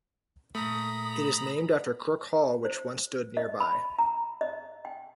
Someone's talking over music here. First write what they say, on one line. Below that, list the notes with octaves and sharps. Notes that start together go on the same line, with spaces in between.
It is named after Crook Hall which once stood nearby.
A#2 A3 A#5 B5 D#6
C5
D#5
B5
A#5
D#5
G5